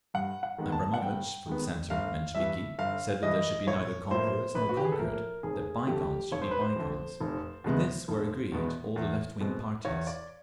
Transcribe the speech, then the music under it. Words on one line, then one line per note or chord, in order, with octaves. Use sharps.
Abramovitch, for the centre Mensheviki, said that there should be neither conquerors nor conquered--that bygones should be bygones. ...In this were agreed all the left wing parties.
G2 F#5
F#5
D#3 G#3 B3
A5
F#5
G2 G5
D#3 G#3 B3
G1 F5
G2 E3 E5
G1 F5
G2 E3 D#5
A#1 C#5
A2 F3 A#3 C5
A#1 B4
F#4
G4
G#4
A4
A2 F3 A#3 A#4
F1 G#4
F2 D3 G4
F1 C#5
C5
B4
C5
F2 D3
F1
E2 B2 G#3 B3
F1
E2 B2 G#3 B3
E2
B2 G#3 C4
E2 C#5
D5